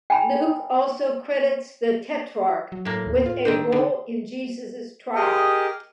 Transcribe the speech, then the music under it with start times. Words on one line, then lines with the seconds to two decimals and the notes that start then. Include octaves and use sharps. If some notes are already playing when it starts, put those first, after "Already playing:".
Luke also credits the tetrarch with a role in Jesus' trial.
0.10 G5 G#5 A#5 B5
2.72 F#3
2.85 A2 A#3
3.06 D#2
3.26 F4
3.45 D#3 C4 D4 C5
3.72 D3 D#4
5.15 G4 G#4 A#4 D#5